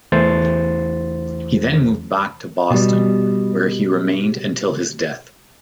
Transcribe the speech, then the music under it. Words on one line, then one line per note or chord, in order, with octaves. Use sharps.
He then moved back to Boston, where he remained until his death.
E2 E3 A3 C5 A6
B2 G3